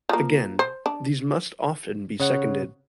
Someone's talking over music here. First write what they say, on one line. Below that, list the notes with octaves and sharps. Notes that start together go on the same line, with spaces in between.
Again, these must often be seconded.
F3 A#3
C5
D4
C#3 C#5 F#5